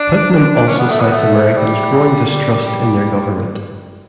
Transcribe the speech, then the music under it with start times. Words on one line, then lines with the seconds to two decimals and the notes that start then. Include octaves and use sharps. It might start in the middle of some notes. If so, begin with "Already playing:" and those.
Putnam also cites Americans' growing distrust in their government.
Already playing: D4
0.68 C#4
0.79 B3
0.90 A3
1.00 B3
1.12 A3
1.57 G3